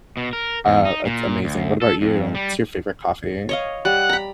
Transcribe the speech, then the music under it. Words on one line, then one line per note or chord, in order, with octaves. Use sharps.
uh, it's amazing. What about you? What's your favorite coffee?
B2
A#4
E2
D#4
A#2
D2
A4
F2
G3
C#5 D#5 F5
G3 F#5
A#5 B5